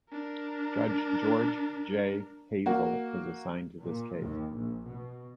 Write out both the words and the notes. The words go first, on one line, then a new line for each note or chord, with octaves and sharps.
Judge George J. Hazel is assigned to this case.
D4 A#4
A#3 F#4
A#2
D#2
A#1
B2